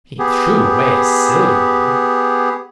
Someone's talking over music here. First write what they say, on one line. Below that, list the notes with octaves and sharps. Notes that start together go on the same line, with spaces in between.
He threw away his silver money.
B3 G4 G#4